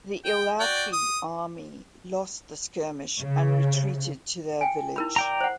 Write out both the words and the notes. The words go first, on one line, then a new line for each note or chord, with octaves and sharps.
The Ilafy army lost the skirmish and retreated to their village.
G5
F#4 D5 G5
D#6
C#3
G5 G#5
E4 A#4 B5
D5 G5 A#5
C5 F#5